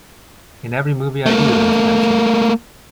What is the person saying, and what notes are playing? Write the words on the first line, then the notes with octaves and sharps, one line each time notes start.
In every movie I do, there's tension.
A3 A#3